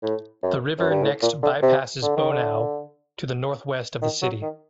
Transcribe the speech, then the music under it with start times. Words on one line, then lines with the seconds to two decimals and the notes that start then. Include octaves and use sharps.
The river next bypasses Bonao to the northwest of the city.
0.03 A2
0.43 F#2
0.79 F#2
0.90 G2
1.03 A2
1.22 A#2
1.43 D3
1.62 C3
2.03 D3
2.16 D#3
2.30 D3
4.02 D#3
4.22 F#3
4.42 D#3